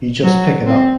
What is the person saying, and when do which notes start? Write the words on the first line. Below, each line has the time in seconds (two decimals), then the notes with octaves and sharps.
You just pick it up.
0.23 F#3
0.67 C4